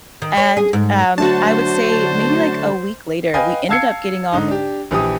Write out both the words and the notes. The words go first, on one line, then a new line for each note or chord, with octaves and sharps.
And, um, I would say maybe, like, a week later, we ended up getting off
D#3
C#5
G#4
G#2
D3 F#3 A3 D4 F#4 C5 A5
B4 D#5 F5 G5 G#5
F5 A5 E6 G#6 C7 C#7
G#2 D3 D#4
D4 G4
A#1 E3 G4 D#6